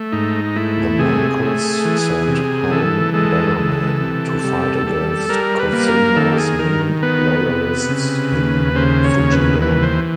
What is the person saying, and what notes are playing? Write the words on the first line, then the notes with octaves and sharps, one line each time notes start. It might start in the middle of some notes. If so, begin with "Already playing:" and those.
The Manchus sent Han Bannermen to fight against Koxinga's Ming loyalists in Fujian.
Already playing: A3
G#2 D#4
A3 E4
C3 G#4
A3
E3
C3
E3 A4
G#3 A4
E3
C3
G3
G3
G3 A#4
B4
A#3
A#4
D#3 A4
G4
G#4
D#3 A#4
B3 B4
C3
C#3
D#2
C#3 C5
C#5
D#2
B4
E3 B4
C5